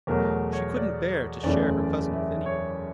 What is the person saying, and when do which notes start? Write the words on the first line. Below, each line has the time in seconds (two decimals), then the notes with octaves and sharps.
She couldn't bear to share her cousin with anybody.
0.07 E2 B2 F#3 A3 A#4
0.53 C#5
0.76 D5
1.44 F#1 E2 C#3 E3 A3 D5
2.12 E5
2.46 C#5